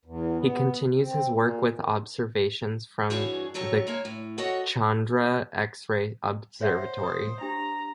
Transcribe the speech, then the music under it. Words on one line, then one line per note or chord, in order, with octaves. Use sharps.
He continues his work with observations from the Chandra X-ray Observatory.
E2
B3
C4
A#2
D#3
G2 E3 F#4 G#4 C#5 A5
D#3 F#3 A4 C#5 A5
G#3 A#3 C#5
A2
F#4 A4 C#5 D#5 F#5
C5 C#5 E5 F#5
D#6
D4 G4 A#5